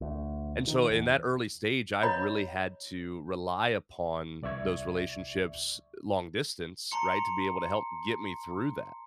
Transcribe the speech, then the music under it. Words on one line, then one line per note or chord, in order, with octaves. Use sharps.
and so in that early stage, I really had to rely upon those relationships long distance, right, to be able to help get me through that
D2
D#3
E2
C#5 D#5 A#5 B5
C2 D5 E5 C#6 G#6
A5 A#5 C6 C#7